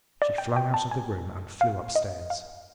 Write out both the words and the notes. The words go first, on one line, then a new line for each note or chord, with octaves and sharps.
She flung out of the room and flew upstairs.
D5
G5
G5
A5
G#5
F5
D#5
F5